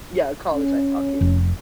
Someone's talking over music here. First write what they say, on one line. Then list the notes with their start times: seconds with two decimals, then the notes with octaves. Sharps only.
Yeah, college ice hockey.
0.53 C#4
1.21 F1